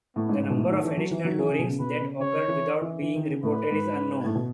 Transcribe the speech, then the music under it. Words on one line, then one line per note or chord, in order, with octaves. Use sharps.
The number of additional doorings that occurred without being reported is unknown.
A2 B3
G#2
G#2
B2
A2 A3
D#3
E3
F#3
E3
F#3
D#3
E3 G#4
C#3
B2
C#3
B2 B4
C#3
C#3 C#5
D#3
E3
E3
E3
D#3
C#3
A2 B4
G#2
A2
B2